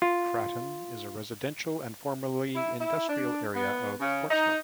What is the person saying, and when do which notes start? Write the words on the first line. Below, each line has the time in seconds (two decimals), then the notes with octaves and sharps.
Fratton is a residential and formerly industrial area of Portsmouth.
0.02 F4
2.55 E4
2.80 E4
3.08 D4
3.54 B3
4.00 C#3
4.31 D#4